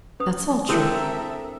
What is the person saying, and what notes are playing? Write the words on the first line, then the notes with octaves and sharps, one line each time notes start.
That's all true.
C#4 B4 D#6
G#3 C4 D4 E4 G4 A4 A#4 E5